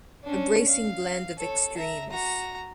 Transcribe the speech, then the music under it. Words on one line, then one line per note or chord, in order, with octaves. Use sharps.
A bracing blend of extremes.
C#4 D4
F5
A4 C#5
E5 A#5
F#4 A#5